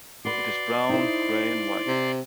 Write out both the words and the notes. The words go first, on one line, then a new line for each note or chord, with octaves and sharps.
It is brown, gray, and white.
F#4 B4 D5 C6
D#4 E4 C5
C3